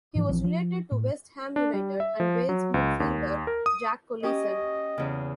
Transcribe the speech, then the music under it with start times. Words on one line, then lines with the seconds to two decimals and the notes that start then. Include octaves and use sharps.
He was related to West Ham United and Wales midfielder Jack Collison.
0.15 G#2 E3 F3
0.29 A#1 E3 F3 C4
0.44 F3
0.92 A2
1.56 D4
1.74 G3
2.00 E5
2.20 F3
2.49 F#3
2.74 C#2
3.00 D#2
3.47 A#4
3.66 D#6
4.23 C#4 G4 D#5 D#6
4.98 E2 C#3